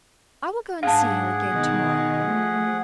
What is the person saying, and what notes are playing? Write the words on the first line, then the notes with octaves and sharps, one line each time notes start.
I will go and see her again to-morrow.
G#2 D4 G#4 F5 F#5 A5
B2 D#3
F3 A3